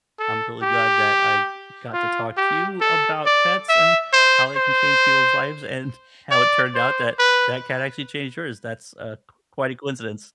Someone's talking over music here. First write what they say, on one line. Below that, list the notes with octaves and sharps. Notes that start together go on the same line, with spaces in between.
I'm really glad that I got to talk to you about pets and, how they can change people's lives and how it turned out that, that cat actually changed yours. That's, uh, quite a coincidence.
A4
G4
F4
G4
A4
D5
E5
C5
C5
D5
C5
B4